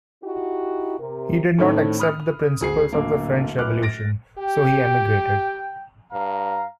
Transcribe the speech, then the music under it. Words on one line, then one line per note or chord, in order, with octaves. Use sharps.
He did not accept the principles of the French Revolution, so he emigrated.
D#4 E4 F#4 G4
C3 A#4
A2 D#3 A3 C4 C#4 D#4
B5 D#6 F6
D2 G#4 C7
D1 D3 A#3
D1 B4 D6 F6 F#6
A6 A#6 D7
G4 G5
G2 F5 A#5